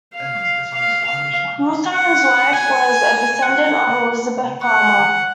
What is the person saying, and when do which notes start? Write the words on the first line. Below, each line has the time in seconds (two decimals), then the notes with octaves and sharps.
Hawthorne's wife was a descendant of Elizabeth Palmer.
0.15 F5
0.74 F5
1.04 F5
1.93 F#5
2.53 G#5
3.43 F#5
4.62 F#5